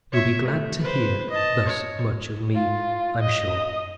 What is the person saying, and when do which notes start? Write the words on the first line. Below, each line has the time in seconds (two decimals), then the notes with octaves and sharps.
You will be glad to hear thus much of me, I am sure.
0.12 C#5 E5
0.45 A3
0.82 B4 C5
1.30 D#5 A5
1.65 C#5
2.55 F4
3.21 D#5 D#6